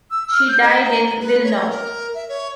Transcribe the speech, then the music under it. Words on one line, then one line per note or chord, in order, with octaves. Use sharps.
She died in Wilno.
E6
F6
G6
D#5
A#5
B4
C#5
A#4
E5
C#5